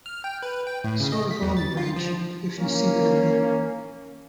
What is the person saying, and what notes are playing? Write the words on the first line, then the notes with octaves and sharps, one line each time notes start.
Sort of olive branch, if you see what I mean.
F6
G5
B4
G5
A2
C#3
D#5
B6
E2
A6
F4
F3
A#3 C#4